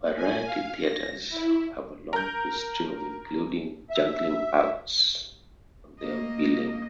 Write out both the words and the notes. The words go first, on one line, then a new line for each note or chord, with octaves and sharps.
Variety theatres have a long history of including juggling acts on their billing.
G#5
F5
A#6
E4
A#4 G6
E5
A#3 D#5